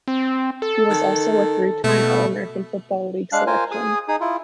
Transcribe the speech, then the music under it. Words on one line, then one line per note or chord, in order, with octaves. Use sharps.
He was also a three-time all-American Football League selection.
C4
A4
D#3
B2 A3
G#3 D4 F5 F#6
F4 A#4 C5 G#5
G#4 G#5 D#6
D#4 G#4 D#6
E4 F4